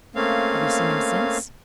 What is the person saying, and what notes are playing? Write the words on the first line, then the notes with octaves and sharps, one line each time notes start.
"Have you seen him since?"
A3 A#3 C4 C#4 F5